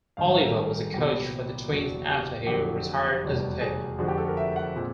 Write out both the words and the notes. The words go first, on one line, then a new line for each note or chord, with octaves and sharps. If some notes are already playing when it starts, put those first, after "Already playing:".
Oliva was a coach for the Twins after he retired as a player.
A1 G2 D#3 F#3 F5
E5
A#4
A4
G#4
C2 A#2 F#3 B3 G4
F#1 E2 B2 F#3
G4
F2 D3 F#3 G4
F1 E2 B2 G3
G#4
F2 D3 F3 G#3 F#4
G4
A4
A#4
E5
F#5
A#2 F3 G#3 C4